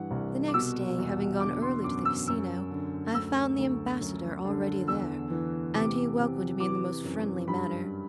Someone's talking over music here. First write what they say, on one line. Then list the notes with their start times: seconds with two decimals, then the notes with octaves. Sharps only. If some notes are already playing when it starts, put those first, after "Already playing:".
The next day, having gone early to the casino, I found the ambassador already there, and he welcomed me in the most friendly manner.
Already playing: G2 E3 F#5
0.11 C2
0.48 D6
0.54 B2 E6
0.98 E2
1.40 D3 D6
1.62 C6
1.84 F#2 D6
2.05 E6
2.28 F#2 E6
2.70 D3
3.14 D2 E6
3.58 D2
4.01 F#2
4.44 D3
4.87 E2 E6
5.30 E3
5.75 C3 D6
6.18 C3
6.60 E3 D6
7.04 F#2
7.48 G2 B5